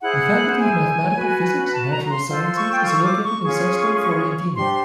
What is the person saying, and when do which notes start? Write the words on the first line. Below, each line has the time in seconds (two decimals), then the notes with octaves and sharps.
The Faculty of Mathematical, Physical and Natural Sciences is located in Sesto Fiorentino.
0.02 E4 G#4 C5 F#5
0.60 G#5
1.16 F#4 B4
1.73 A5
1.92 A#5
2.10 C6
2.29 F4 A4 C5 C6
2.44 C6
2.57 C#6
2.72 G5
2.86 C#6
3.04 D6
3.23 C#6
3.42 C#4 F4 G#4 C#6
4.56 D4 G4 C5 C6